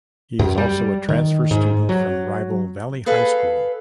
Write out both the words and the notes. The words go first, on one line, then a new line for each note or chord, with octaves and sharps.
He is also a transfer student from rival Valley High School.
F#2
G3
D#3
G#2
F#3
G#4 A4 B4 F5